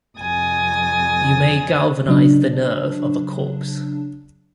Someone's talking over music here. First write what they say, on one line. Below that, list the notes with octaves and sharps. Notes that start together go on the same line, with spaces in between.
You may galvanize the nerve of a corpse.
F2 C3 G#5 D#6 A6
C#3 F#3 D4